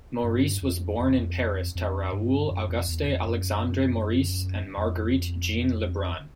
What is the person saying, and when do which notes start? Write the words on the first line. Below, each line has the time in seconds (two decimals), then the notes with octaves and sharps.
Maurice was born in Paris to Raoul Auguste Alexandre Maurice and Marguerite Jeanne Lebrun.
0.24 G2
0.62 F2
1.00 F2
1.09 F#2
1.18 F2
1.75 F2
2.13 G2
2.51 F#2
2.69 F2
2.88 E2
3.07 F2
3.26 F#2
4.77 F2